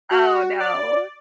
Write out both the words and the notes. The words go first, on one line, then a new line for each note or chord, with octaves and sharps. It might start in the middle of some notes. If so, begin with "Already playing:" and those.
Oh, no.
F#4
D5